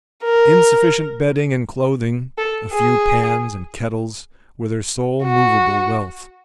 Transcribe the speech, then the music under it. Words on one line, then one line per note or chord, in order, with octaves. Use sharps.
Insufficient bedding and clothing, a few pans and kettles, were their sole movable wealth.
A#4
A4
G#4
F#4